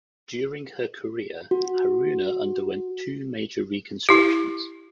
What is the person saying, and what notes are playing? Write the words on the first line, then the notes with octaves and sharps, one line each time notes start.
During her career, "Haruna" underwent two major reconstructions.
F#4
E4 G4